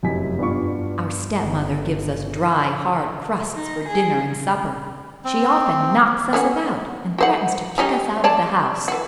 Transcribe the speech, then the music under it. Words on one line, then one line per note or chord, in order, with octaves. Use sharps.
Our stepmother gives us dry hard crusts for dinner and supper; she often knocks us about, and threatens to kick us out of the house.
F1 F#2 E4 G#5 B6
G2 B3 D4 F4 C#6
G1
D#4
G#4
C4
B3 C#4 F#4
F#4 C5 F#5
G3 C#4 D#4
C#5 D5 A5
E3 F#4